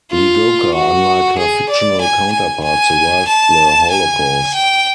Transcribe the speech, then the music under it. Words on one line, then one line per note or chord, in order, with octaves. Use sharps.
Ligocka, unlike her fictional counterpart, survived the Holocaust.
F4
F#4
G#4
D5
G#5
G#5
G#5
A5
G#5
G5